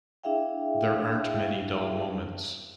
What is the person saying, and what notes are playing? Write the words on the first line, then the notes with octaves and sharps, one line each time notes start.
There aren't many dull moments.
D4 E4 G#4 E5 F5 G5